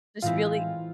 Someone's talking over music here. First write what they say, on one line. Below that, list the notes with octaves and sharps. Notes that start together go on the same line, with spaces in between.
just really
A2 E3 G#3 C4 E4 F4